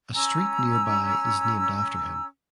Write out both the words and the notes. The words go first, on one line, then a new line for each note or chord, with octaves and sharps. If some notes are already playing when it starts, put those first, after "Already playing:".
A street nearby is named after him.
C#4 G#5 A#5 E6